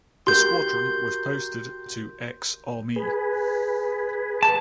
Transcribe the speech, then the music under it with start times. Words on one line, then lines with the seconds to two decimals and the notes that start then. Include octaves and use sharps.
The squadron was posted to "X Armee".
0.27 F#4 G4 A#4 C6 G6
2.96 G#4 B4
4.43 A5